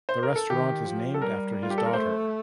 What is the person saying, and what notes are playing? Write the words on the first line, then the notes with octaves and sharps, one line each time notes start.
The restaurant is named after his daughter.
C5
A#4
A4
D#3 G4
F3
A4
G3 A#4
F4
G4
A4
A#4
A3 C5